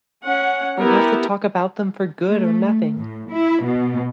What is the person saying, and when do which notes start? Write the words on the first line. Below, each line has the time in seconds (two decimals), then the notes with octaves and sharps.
Or you have to talk about them for good or nothing.
0.24 C#4 F#5
0.78 B3 E4 G4 A#4
2.29 A3
2.95 A2
3.31 E4
3.64 B2